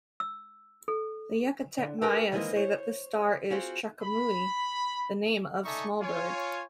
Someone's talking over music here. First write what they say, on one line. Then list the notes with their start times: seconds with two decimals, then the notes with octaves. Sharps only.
The Yucatec Maya say that this star is "chakumuy", the name of small bird.
0.20 E6
0.88 A4
1.78 D3
2.01 G4 A#4 B4 G5 G#5
2.32 D#3 E3 G#3 A#3 C4 D#5
2.52 C5 C#5
3.50 C4 F4 F#4 G#4
4.02 B5
5.64 D#4 A4 D5 E5 G#5 C#6
6.00 F4 C#5 G#5